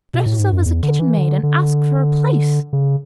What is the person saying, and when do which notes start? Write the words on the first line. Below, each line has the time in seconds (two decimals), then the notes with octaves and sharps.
'Dress yourself as a kitchen-maid and ask for a place.
0.14 B2
0.26 A2
0.39 G#2
0.52 F#2
0.65 E2
0.83 D3
0.99 E3
1.18 D3
1.43 D3
2.73 C#3